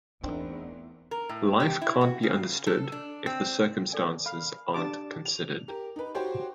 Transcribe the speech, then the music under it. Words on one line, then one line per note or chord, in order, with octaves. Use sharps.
Life can’t be understood if the circumstances aren’t considered.
E2 A3 C4 D4 D#4 A#4
A#4
A2
G4
E4
F#4
C#3
A4
D4
C4
A4 D5 G#5
F5 B5
D4 G4 A5 D6
F7
G4 A#4
D#4 B4
F#4 G4 C5 C#5 G5 C6